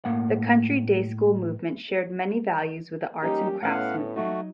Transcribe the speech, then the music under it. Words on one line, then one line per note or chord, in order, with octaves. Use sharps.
The Country Day School movement shared many values with the Arts and Crafts movement.
A2 A#3 F#5
G3 A#3 C#4 D#4 G4
A2 A3 B3 C#4 F5 F#5
F#3 A3 D#4 F#4